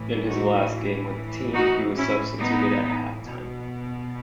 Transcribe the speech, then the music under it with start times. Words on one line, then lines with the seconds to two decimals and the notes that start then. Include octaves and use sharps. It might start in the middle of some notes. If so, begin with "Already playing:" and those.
In his last game with the team he was substituted at half-time.
Already playing: A2 E3
0.27 D#4 F#4
1.54 D#4 F#4
1.97 C#4 E4
2.38 B3 D#4
3.23 B2